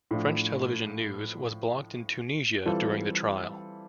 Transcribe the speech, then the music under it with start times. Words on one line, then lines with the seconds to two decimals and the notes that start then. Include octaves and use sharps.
French television news was blocked in Tunisia during the trial.
0.11 A2 F3 A3 D4 F4
2.65 E3 G3 C4 F4 A4